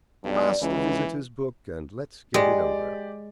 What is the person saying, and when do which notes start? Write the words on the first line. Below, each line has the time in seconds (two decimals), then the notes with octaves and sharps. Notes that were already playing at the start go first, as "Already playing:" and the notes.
"Pass the visitors' book and let's get it over."
0.24 B1 G2 D4
0.62 C#2 E3 A#3 E4 F#4
2.34 G#3 G4 D5